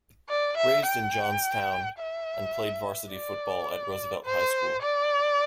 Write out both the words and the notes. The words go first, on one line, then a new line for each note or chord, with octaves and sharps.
Raised in Johnstown and played varsity football at Roosevelt High School.
D5
E5
G5
E5
D5
C5
D5